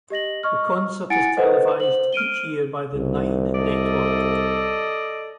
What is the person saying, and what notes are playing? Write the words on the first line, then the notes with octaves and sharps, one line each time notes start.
The concert is televised each year by the Nine Network.
G4 D#5 A#6 F#7
D#5 C#6 F6
E4 F#5 G#5 A6 C#7 D7
A4 B4 C5 D#5 F#5
C5 F#7
F6 D7 D#7 G7
C2
A4 D5 D#5